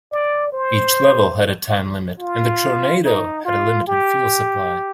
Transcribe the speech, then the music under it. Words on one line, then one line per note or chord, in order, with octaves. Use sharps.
Each level had a time limit, and the Tornado had a limited fuel supply.
D5
C5
F4
D#4
F4
G4